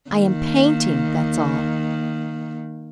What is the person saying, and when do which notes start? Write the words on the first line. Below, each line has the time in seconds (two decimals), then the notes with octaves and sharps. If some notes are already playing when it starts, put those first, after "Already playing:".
I am painting; that's all.'
0.10 D#3 A#3